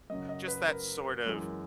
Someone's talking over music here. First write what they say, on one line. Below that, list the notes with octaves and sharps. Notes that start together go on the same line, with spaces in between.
just that sort of
F#2 C#3 F#3 D#5
D#5
B4
A#4
F#2 E3 G#3